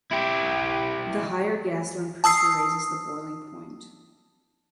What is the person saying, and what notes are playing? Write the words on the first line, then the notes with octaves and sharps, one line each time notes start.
The higher gasoline pressure raises the boiling point.
E4 G4
A5 D#6 E6 C7